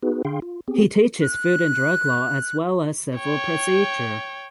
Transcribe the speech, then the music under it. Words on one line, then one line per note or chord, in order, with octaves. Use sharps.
He teaches food and drug law as well as civil procedure.
B3 D#4 F#4 G#4 B4
D3 D4 G#4 F5 G5 C6
F4
B3 C4 G4 G#4
F#6
C#5 G5